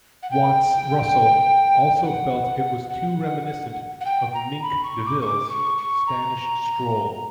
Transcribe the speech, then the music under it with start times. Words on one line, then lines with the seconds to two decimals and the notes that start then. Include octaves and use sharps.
Watts-Russell also felt it was too reminiscent of Mink DeVille's "Spanish Stroll".
0.23 F#5
0.31 G5
1.96 G5
2.04 F#5
2.89 F#5
4.01 F#5
4.05 G5
4.34 A#5
4.62 B5
4.84 C#6
5.06 D6
5.21 C#6
5.27 D6
5.50 C#6
5.78 C#6
6.07 A#5